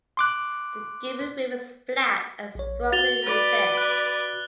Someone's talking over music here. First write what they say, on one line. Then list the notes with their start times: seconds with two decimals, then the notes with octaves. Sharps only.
The gable roof is flat and strongly recessed.
0.17 C6 D6 F#6
2.55 A#1 C#5
2.92 F#4 A6 F7 G7
3.23 B4 D5
3.77 F#6